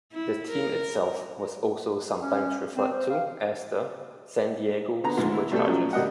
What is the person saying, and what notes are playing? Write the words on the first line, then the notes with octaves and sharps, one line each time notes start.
The team itself was also sometimes referred to as the "San Diego Super Chargers".
E4
A#4
C#4
C4
C5
F5
D3 B3 A#5
D2 G#2 F3
E4
B2 G3 A3 A4
F3 F#3 C#4
D2 G3 A#4 D#5 F#5